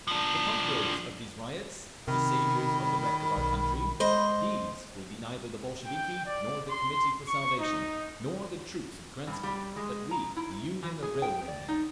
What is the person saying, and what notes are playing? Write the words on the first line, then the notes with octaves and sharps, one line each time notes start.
The conquerors of these riots, the saviours of the wreck of our country, these will be neither the Bolsheviki, nor the Committee for Salvation, nor the troops of Kerensky--but we, the Union of Railwaymen...
F3 D4
C3 D#3 B5
B1
G#3 C5 D#5
G5
D5
C6
C#6
D#4
G2
G3
G#3
A#5
E4
E3
G#4
G5
D5
D#4